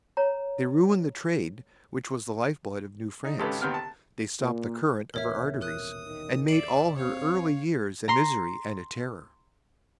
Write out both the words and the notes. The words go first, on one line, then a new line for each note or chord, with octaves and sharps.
They ruined the trade which was the life-blood of New France; they stopped the current of her arteries, and made all her early years a misery and a terror.
C#5 A#5
D#4
G#1 C#3 G#3 G4 A4 B4
D#2 C3 B3 G5 F6
A5
A#2
D#1 A1 B2 A#4 C#5 E5
A#4 D#6 F#6
D#3
D5 E5 C7 D7 F#7
C4 C#5 F5
A#5 C6